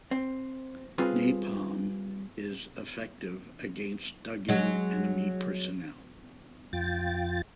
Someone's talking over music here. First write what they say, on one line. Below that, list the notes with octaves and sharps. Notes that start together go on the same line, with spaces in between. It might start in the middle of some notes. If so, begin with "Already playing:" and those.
Napalm is effective against dug-in enemy personnel.
C4
G3 C4 F4 G#4 B4
F#3 G#3
F2 F4 G5 A6